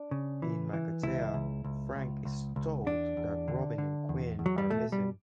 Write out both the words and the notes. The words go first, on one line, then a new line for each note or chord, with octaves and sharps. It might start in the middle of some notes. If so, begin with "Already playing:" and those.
In Makatea, Frank is told that Robin and Quinn are missing.
Already playing: D4
C#3
E3
E3
C#2 E4
C#2
C#2
C#2
C#2
C#2
E2 D4
E2
D3
D3
E2
E2
F#3
G3
B2 A3
G3